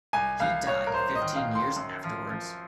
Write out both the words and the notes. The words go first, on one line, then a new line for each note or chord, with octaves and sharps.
He died fifteen years afterwards.
C2 G#5
C2 F5
C2 C#5
A#4
C2 C5
D#5
D#3
F5
D#3
C6
F#2
F3
F3